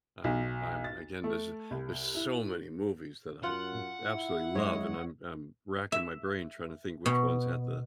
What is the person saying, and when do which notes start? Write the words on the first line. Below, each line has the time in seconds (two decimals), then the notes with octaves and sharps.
I'm I'm again, there's a there's so many movies that I just absolutely love, and I'm I'm racking my brain trying to think which ones had the
0.24 B1
0.84 A6
1.24 A3
1.71 C2
2.15 E4
3.43 F#2 F4 F#5
4.07 E4
4.55 F#2 G#3 C#5 D#5
5.92 E5
7.06 B2